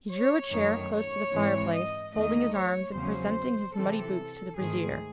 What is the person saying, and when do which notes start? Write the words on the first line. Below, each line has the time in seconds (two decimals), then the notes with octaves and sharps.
He drew a chair close to the fireplace, folding his arms, and presenting his muddy boots to the brazier.
0.11 C#5
0.52 F#2 D#3 A3
0.92 C#5
1.33 G#2 E3 G#3 C4
1.73 D#5
2.14 E2 D#3 A3 D#5
2.55 C#5
2.95 E2 C#3 F#3 C#4 C5
3.76 C3 E3 C4 A4
4.57 G#2 D#3 A3 C4 G#4